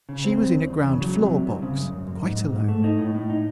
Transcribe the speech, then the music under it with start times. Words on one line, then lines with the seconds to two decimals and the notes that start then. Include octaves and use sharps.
She was in a ground-floor box, quite alone.
0.09 C#3
0.25 C4
0.40 E2
0.54 E2
0.70 E2
0.85 C#3
1.01 F#3
1.16 C3
1.31 C2
1.47 C3
1.62 C#3
1.77 F#2
1.92 F#2
2.07 F#2
2.22 G#2
2.37 G#2
2.52 G#2
2.68 A3
2.84 D#4
2.98 A2
3.15 A2
3.30 D#4